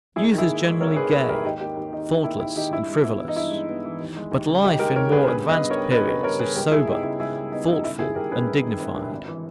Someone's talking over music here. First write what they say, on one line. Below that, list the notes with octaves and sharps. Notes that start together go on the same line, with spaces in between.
Youth is generally gay, thoughtless, and frivolous; but life, in more advanced periods, is sober, thoughtful, and dignified.
G#1 E4 G#4
D#3
E4 G#4
A#3
G#2
G#1 A#4 C#5
D#3 G#4 B4
A#3 G#4 B4
G#2 G4 A#4
D#2 D#4 G4
A#3 D#4 G4
D#2
D#3 D#4
D#2
A#3 E4
D#2 E4
D#3 D#4 G4
G2 E4
G#3
B3 E4
E3
D#4
G2 E4
G#3
B3
E3
D#2
G#3
D#2
C#3
D#2 D#4 G4
G#3 G4 A#4
D#2 A#4 C#5
C#3 G#4 B4
G2 G#4 B4
B3
B4 D#5
G2
A#4 C#5
G3
G2 B4 D#5
B3 B4 D#5
G2 A#4 C#5
G3 G#4 B4
C#2 G4 A#4
G3 E4 G#4
B3 D#4 G4
C#3 E4 G#4
C#2 E4 G#4
G3
B3 D#4
C#3 D#4
G1 E4
D#3 E4 G#4
G1 G4 A#4
G2 G#4 B4
G1
D#3
G1
G2
G#1
E3